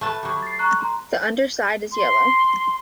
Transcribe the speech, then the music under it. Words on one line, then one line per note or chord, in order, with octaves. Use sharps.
The underside is yellow.
A3 B4 A5
F#3 G3
A6 C7
A#5 C#6 F#6
A#5 C6
C6